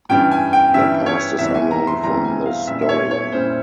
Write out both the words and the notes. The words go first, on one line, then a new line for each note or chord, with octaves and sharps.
Their past is unknown from the storyline.
G2 E3 G3 C#4 G5
G#5
G5
G2 E3 G3 C#4 E5
C#5
E2 E3 G3 C4 E5
G#5
A#5
C6
E2 E3 G3 C4 A#5
G#5
F5
A#2 G3 C#4 E4 E5
E5
C#5
C#5
A#2 G3 C#4 E4 C5